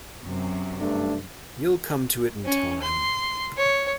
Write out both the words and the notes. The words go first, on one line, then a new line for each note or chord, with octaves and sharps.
You’ll come to it in time.
F#2 C3
G2 A3 D4
C#4
C6
C#5